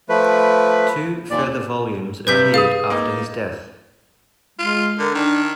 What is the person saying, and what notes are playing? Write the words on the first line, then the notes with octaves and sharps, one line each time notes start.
Two further volumes appeared after his death.
F3 A3 B4
D#2 A#2 D5
G2 C3 G3 B4 G6 B6
G#4 F5 D#6 A6
A#3 D#4
G#3 F4
D3 A#4
D#3 D4